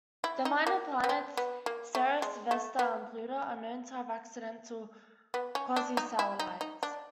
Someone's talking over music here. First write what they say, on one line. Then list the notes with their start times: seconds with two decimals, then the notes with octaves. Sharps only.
The minor planets Ceres, Vesta, and Pluto are known to have accidental quasi-satellites.
0.24 E4
0.45 D#4
0.67 A#3
1.04 B3
1.09 C4
1.37 B3
1.66 A#3
1.95 A3
2.22 G#3
2.51 A3
2.79 B3
5.34 B3
5.55 C#4
5.76 D4
5.97 D#4
6.19 E4
6.39 D#4
6.61 D#4
6.83 D4